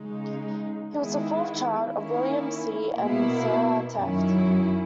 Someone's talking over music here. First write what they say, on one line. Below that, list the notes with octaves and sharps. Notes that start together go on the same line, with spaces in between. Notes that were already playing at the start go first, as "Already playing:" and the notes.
He was the fourth child of William C. and Sarah Tefft.
Already playing: C#3 G#3 D#4
D#3 G#3 B3 E4
D#3 A#3 C#4 E4
B2 A#3 E4
F#2 D#3 F#3 C#4 E4